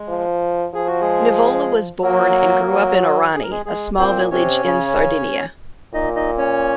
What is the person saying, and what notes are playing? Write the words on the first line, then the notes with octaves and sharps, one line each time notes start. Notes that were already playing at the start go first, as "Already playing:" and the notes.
Nivola was born and grew up in Orani, a small village in Sardinia.
Already playing: G#3
F3
F3 G#4
F#4
G#3 G#4
F#3 A#3 A#4
F#3
G#4
A#4
G#3 G#4
G#3 G#4
A#2 C4 C5
C3 C#4 C#5
C#3
A#2 D#4 D#5
D#4 D#5
C#4 C#5